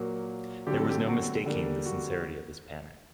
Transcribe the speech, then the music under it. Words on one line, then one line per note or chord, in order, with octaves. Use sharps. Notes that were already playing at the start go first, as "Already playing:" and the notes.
There was no mistaking the sincerity of his panic.
Already playing: A#2 F#3 A#3
D3 F#3 A3 C4 G4
A4
G4
F#4
D3 G3 A#3
F#4